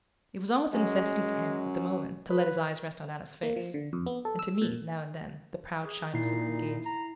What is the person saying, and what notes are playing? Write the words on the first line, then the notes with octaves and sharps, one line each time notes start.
It was almost a necessity for him, at the moment, to let his eyes rest on Anna's face, and to meet, now and then, the proud shyness of her gaze.
F#2 G#3
B4
A#3
F3
D3
F2
B3
A4
E6
A#2
G#4
A#2 D#4 E4 C7
A#5